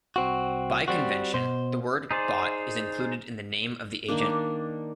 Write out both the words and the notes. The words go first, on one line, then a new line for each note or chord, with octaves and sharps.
By convention the word "bot" is included in the name of the agent.
C2 C4 F#4
G3 C4 F#4
B2 C5
D#4 G#4 C5 D5
D#3 A#3 D4